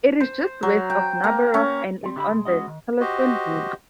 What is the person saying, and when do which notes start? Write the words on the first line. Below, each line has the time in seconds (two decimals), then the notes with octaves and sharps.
It is just west of Narborough, and is on the Thurlaston Brook.
0.20 C5
0.63 F#3
0.90 G5
1.24 A#3
1.54 C#4
2.03 G3 C4
2.16 D3 E4 G4 C5 D#5 B5
2.30 B1 G#3
2.45 G#3 B3 C#4 F#4 D#5
2.67 D#3
3.00 F#4 G4 C5 D#5